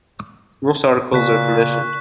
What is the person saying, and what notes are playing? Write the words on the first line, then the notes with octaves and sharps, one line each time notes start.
Most articles are commissioned.
A#2 C#3 C#6 F#6 B6